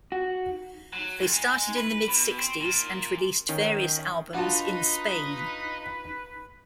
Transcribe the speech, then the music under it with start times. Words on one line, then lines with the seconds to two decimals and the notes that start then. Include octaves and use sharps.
They started in the mid sixties and released various albums in Spain.
0.12 F#4
0.93 F#3
1.19 F2
1.33 G#3
1.76 B4
2.07 B2
2.38 C4
2.60 A#2
3.49 D#3 C#4
4.34 D4 D#4 F4 F#4 B4 A5